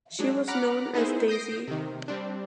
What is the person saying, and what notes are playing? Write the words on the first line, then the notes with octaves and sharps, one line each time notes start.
She was known as Daisy.
F#3 G#3 D4
F#5 A#5 B5 D6 F6 F#6
B3 D#4 E4 G#4 C5
D#6 G6 A#6 C7 D7
C3 D#3
G3 C4 D4